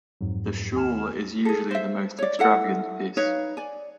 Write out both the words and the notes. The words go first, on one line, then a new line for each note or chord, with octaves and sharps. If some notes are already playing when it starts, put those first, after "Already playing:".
The shawl is usually the most extravagant piece.
F2 G#2 F#3
D#2 G#5 F6 E7
G#4 A4
C5 E5
C#5 D5
E4 A4 F#5
D#4 B4 C#5 F5
D5 G#5